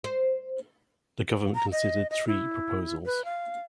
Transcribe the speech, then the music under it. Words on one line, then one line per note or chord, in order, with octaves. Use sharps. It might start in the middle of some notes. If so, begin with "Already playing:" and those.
The government considered three proposals.
C5
A#5
D#5
D#5
E4
B4
F5